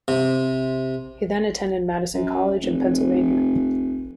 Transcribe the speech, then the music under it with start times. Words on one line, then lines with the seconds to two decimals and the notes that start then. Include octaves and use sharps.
He then attended Madison College in Pennsylvania.
0.08 C3
2.14 F#2
2.62 F1